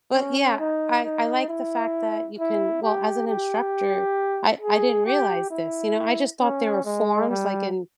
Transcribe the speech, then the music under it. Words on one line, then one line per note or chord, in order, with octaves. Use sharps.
But, yeah, I I like the fact that you can well, as an instructor, I I didn't realize this, you know, I just thought there were forms, like, in
C#4
D#4
D#4
E4
E4
G4
G4
G#4
G4
E4
C#4
G#3
G3